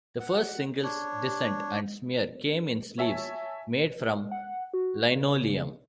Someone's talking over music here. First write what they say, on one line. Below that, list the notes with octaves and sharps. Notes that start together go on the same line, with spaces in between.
The first singles, "Dissent" and "Smear", came in sleeves made from linoleum.
F#5
D4 C#5
C#5 E5 G#5 A5
F#5
F#4
C#3